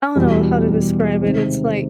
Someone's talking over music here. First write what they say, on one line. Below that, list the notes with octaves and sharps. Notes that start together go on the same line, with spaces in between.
I don't know how to describe it, it's like
E2 B2 G3
E2 B2 G3
C3 D#3 G#3 C4